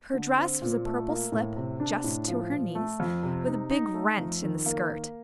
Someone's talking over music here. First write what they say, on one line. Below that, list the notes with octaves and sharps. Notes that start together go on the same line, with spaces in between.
Her dress was a purple slip just to her knees, with a big rent in the skirt.
D3
C4
A#2
A3
A#3
A2
C3
D4
A2
F3
A#2
A3
F2
C3
D#4
D#4
A3
F2
D#3
A#3